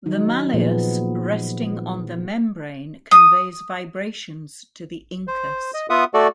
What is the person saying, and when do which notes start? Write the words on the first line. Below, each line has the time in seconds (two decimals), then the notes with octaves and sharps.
The malleus, resting on the membrane, conveys vibrations to the incus.
0.06 D#3 F#3 D#4
0.54 A#2 F3 B3 G#4
3.11 D#6
5.27 C5
5.74 D#5
5.90 B3 F4 E5 F#5 D#6
6.14 A3 F#4 A4 D5